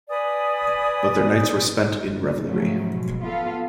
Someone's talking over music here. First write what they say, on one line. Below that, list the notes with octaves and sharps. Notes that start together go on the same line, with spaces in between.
But their nights were spent in revelry.
B4 D5 G#5 D#6
G#2 C#3 F3 F#3 A3
B2 G#3
B3 F4 A4 F5